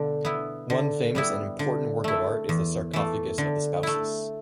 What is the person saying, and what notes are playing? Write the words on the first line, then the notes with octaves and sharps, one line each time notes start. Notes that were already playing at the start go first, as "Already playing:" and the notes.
One famous and important work of art is the Sarcophagus of the Spouses.
Already playing: B2 D3
B3 E4
D3
G3 B3 E4
D3
A3 E4
E2
E3 A3
D3
A3 E4